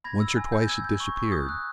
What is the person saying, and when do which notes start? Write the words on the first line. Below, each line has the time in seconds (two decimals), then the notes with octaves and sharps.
Once or twice it disappeared.
0.04 B5 G#6 A#6
0.20 E6
0.37 G#5
0.52 G6
0.62 G6
0.68 E6 G#6
0.84 G6
1.00 C#6
1.16 C#6
1.32 D#6 G6
1.49 F#6